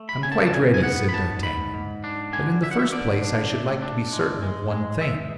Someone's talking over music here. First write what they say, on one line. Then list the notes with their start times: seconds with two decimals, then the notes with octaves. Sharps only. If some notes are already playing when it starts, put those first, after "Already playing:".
"I am quite ready," said d'Artagnan; "but in the first place I should like to be certain of one thing."
Already playing: A3
0.09 B5
0.23 C#3 G#5
0.32 A5
0.46 A5
0.53 G#2 G#5
0.74 G#5
0.83 B3 F#5
1.09 B5
1.13 G#2 A5
1.43 G#2 B5
1.74 G#2
2.04 D4
2.33 D3 G#5
2.62 D3 E5
2.71 F#5
2.79 E5
2.92 D3 D5
3.22 D4
3.53 A3
3.82 D4
4.13 G#3
4.42 G#3
4.71 G#3
5.01 G#3 E5